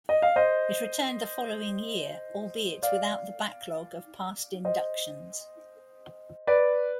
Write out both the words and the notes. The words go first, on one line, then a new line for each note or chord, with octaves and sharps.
It returned the following year, albeit without the backlog of past inductions.
D#5
F5
C5 D#5
D5 F5
C5 D#5
B4 D5